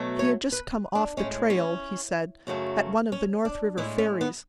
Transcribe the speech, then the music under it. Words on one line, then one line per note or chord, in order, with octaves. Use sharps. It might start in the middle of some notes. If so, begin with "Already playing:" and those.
He had just come off the "trail," he said, at one of the North River ferries.
Already playing: B2 F#3 A3
C#5
B4
D4
A2 G#3 C#4
C#4
F#2 C#3 F#3 A3
C#4
D4
A2 G#3 E4
C#4
B3